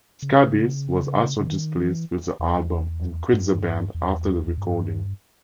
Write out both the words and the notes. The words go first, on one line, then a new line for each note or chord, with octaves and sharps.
Scabies was also displeased with the album, and quit the band after the recording.
C#3
C#3
D#3
E3
E2
G2
E2
E2
G2